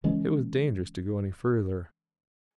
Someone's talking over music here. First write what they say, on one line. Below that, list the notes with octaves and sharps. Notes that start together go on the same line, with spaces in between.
It was dangerous to go any further.
C#3 E3 G#3 C#4